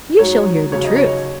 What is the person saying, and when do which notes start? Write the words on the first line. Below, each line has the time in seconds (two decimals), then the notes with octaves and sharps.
You shall hear the truth.
0.19 G#2 F#3 C#5
0.72 D#2 C#3 F#3 C#5
0.84 D#5
0.96 C#5